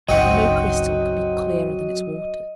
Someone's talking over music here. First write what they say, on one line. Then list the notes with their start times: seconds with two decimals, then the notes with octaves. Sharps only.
No crystal could be clearer than its waters.
0.09 G1 C#2 F#3 C4 D#4 F#4 D#5 F#5